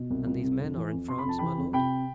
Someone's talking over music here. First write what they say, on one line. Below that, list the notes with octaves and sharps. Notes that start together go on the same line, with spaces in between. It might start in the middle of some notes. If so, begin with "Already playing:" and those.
"And these men are in France, my lord?"
Already playing: B2
C2
C2
C3
F2
E3
F2
C3 C6
B5
F2 A5
E3 G5 B5
F2
C3 G5 B5